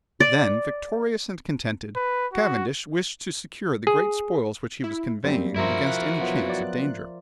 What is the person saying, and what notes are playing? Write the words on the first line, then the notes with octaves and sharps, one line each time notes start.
Then, "victorious and contented," Cavendish wished to secure the great spoils which he was conveying against any chance of danger.
D5
B4
F#4
G#4
E4
F#2 G3 A#3 C4
G2 F3 E4 F#4 A#4 E5
F5 F#6
F#3 B3 F4
D5